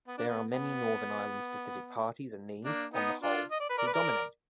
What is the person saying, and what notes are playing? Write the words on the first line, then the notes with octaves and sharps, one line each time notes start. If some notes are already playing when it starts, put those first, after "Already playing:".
There are many Northern Ireland-specific parties and these, on the whole, predominate.
B3
D4
B3
B3
A#3 D4
B3 D#4
D4 F4
D#5
D5
B4
A#4 D5
B4
A#4 D5